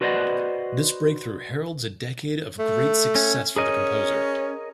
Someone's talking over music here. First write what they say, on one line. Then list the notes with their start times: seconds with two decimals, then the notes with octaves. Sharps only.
This breakthrough heralds a decade of great success for the composer.
0.01 F#4 B4 C5 D5 D#5 F#5
2.59 A3
3.15 C#4
3.56 C#4 G#4 A#4 D#5